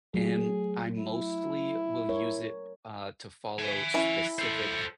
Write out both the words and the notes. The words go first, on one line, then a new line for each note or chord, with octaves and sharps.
and I mostly will use it, uh, to follow specific,
F#3 A3 G#4
E4
A#4 C#5
E5 G#5
C#4 E4
A4 C5